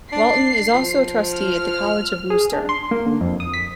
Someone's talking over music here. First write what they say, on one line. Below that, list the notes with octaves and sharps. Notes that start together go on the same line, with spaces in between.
Walton is also a trustee at The College of Wooster.
D4 C7
F3
F6
G#4
D4
C6
A#3
D3
F2
D#6
B6